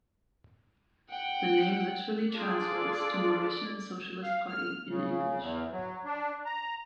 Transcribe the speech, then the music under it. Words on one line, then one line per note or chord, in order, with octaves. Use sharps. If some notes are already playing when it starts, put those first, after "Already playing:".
The name literally translates to "Mauritian Socialist Party" in English.
F#5 G5
D4 F4 G#4 A4 D5
F5
F6
C#3
E2
F#3
D4
A#5